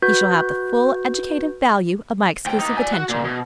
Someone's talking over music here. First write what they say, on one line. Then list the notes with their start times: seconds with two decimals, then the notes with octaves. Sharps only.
He shall have the full educative value of my exclusive attention.
0.02 F#4 B4 G6
2.46 D2 G5
2.60 B3 D#4
2.77 D5 G#5
2.92 F#4
3.09 A#2
3.24 B2